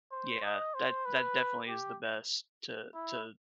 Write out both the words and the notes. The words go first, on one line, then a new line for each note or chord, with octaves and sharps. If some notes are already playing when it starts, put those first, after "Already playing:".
Yeah, that that definitely is the best to to
C5
D#5
C5
B4
G4
E4